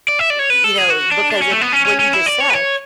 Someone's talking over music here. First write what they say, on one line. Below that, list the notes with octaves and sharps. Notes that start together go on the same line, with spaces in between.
Y you know, because of what you just said,
D5
E5
D5
C#5
B4
A4
G#4
F#4
D4
D4
C#4
A3
B3
C#4
C#4
C#4
E4
D5
C#5
B4
C#5